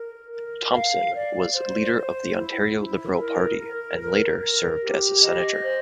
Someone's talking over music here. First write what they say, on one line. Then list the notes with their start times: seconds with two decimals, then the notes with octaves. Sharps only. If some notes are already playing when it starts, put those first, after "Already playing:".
Thompson was leader of the Ontario Liberal Party and later served as a Senator.
Already playing: A#4
0.32 A#4
0.72 F5
1.13 D5
1.54 C5
1.94 C5
2.35 E4
2.76 E4
3.17 A#4
3.58 A#4
3.98 A#4
4.39 A#4
4.80 G4
5.21 D#5
5.62 C5